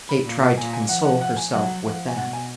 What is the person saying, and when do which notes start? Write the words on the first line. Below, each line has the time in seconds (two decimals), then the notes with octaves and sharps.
Kate tried to console herself with that.
0.09 B5
0.25 A#2
0.57 A#2 G#5
0.73 G#5
0.89 F3 F#5
1.05 F#5
1.21 F#5
1.37 G#5
1.53 F#3 F#5
1.85 F3
2.08 G#5
2.16 B2 F#5
2.33 G#5